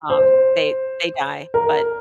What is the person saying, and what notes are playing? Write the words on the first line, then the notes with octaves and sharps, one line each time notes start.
um, they they die, but
C5
A#4